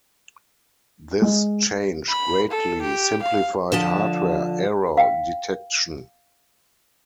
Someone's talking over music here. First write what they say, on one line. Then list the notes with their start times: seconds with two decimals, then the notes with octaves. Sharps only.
This change greatly simplified hardware error detection.
1.22 G#3
2.09 B5
2.52 A4
2.82 G4
3.23 F5
3.72 D3 F3 A5
4.97 F5 G5